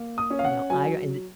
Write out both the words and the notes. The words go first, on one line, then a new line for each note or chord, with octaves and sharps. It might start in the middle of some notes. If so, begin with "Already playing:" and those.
you know, I and i
Already playing: A#3
D#6
C#4
F5
F#5
F#3 G#5